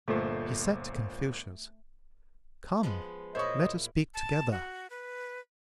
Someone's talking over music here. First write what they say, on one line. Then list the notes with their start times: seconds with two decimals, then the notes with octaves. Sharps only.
He said to Confucius, Come, let us speak together.
0.08 G1 A#2 A3 C5
2.83 F3 G#3 B3
3.35 A#2 E4 C5 C#5 D#5 C#6
4.14 A5
4.52 F#4
4.90 B4